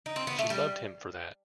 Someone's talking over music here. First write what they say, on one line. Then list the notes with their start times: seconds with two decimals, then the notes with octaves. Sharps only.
She loved him for that.
0.06 D#4
0.16 C4
0.27 B3
0.39 A3
0.50 G3